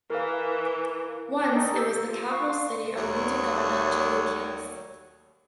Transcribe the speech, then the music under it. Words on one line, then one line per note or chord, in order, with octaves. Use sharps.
Once it was the capital city of Mudigonda Chalukyas.
E3 A#4 F5
D#4 A4 C#5 G5
G4 E6
E6
F4
F5 C#6 F#6
C6
D#2 F#3 G3 C#5